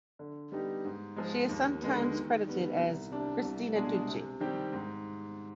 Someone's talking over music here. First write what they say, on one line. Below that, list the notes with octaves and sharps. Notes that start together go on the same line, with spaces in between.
She is sometimes credited as 'Christina Tucci'.
D3
G3 B3 D#4 G4
G#2
F3 G#3
D#2
D3 G#3 B3
D#3
G3 B3
C2
C3 G3 D4
C2
B2 G#3 D4 G#4
C3
D#3 G3 C4 G4
G#2